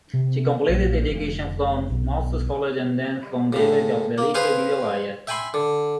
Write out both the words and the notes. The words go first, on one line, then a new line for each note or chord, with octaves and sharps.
She completed education from Musaeus College and then from Devi Balika Vidyalaya.
C3
A#1
F1
B1
A2 C#3
A#3
G#4 B4 C5 F5 G#5 C6
E5 G5 G#5 B5 C6
D3